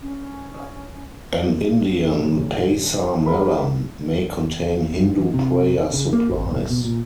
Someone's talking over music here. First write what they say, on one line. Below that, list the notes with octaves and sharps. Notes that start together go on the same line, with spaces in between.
An Indian pasar malam may contain Hindu prayer supplies.
C#4
D#1
G#3 A#4 B5
G2
E3
C3
C#3
A#3
G#1
D1
B2
A#2